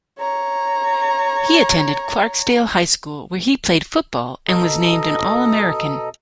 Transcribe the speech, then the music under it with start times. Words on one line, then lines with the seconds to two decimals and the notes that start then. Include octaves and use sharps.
He attended Clarksdale High School, where he played football and was named an All-American.
0.19 C#5 A#5
4.48 B2 A4 D#5 A#5 D#6